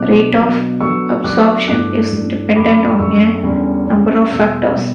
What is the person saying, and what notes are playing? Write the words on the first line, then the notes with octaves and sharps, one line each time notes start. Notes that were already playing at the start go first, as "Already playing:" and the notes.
Rate of absorption is dependent on a number of factors.
Already playing: B2 F#3 B3 D4 D6 F#6
B2 F#3 B3 D4
D3 F#3 B3 D4 C#6 E6
D3 F#3 B3 D4 D6 F#6
G2 E3 A3 D4 D6 F#6
G2 E3 A3 D4
F#2 D3 A3 B5 D6
F#2 D3 A3 C#6 E6
E2 D3 G3 C#4
E2 D3 G3 C#4
E2 B2 G3 E6 G6
B2 G3